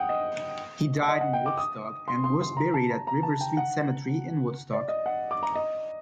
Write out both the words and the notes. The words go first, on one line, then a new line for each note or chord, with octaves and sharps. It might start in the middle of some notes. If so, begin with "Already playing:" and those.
He died in Woodstock and was buried at River Street Cemetery in Woodstock.
Already playing: F#5 G5 D#6
D#5
F#5
D#5
F#5
G5
D6
D#6
C6
C6
C6
A#5
A5
A#5
A#5
A5
G5
F#5
D5
D#5
F#5
D6
A#5
D#5